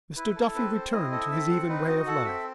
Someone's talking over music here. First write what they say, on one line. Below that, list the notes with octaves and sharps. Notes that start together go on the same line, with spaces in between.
Mr. Duffy returned to his even way of life.
E4 B4
A4
C4 B4
C4 C5
E4 D#5
A4 D#5
C4 E5
C4 F#5
D#4 B4
F#4 D#5
A4 F#5
C4 E5